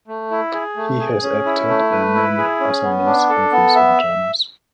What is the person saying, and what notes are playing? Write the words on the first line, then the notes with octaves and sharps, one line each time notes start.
He has acted in many Assamese movies and dramas.
A3
E4
G#4
A3
G#4
C#4
E4
A3
B4
E4
G#4
C#4
B3
D4
A4
B3
E5